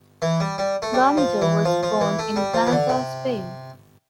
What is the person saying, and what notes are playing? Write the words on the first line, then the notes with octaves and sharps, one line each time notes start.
Guarnido was born in Granada, Spain.
E3
G3
G3
A3
G3
F3
E3
F3
F3
E3
A3
G3
F3
E3
D3
C3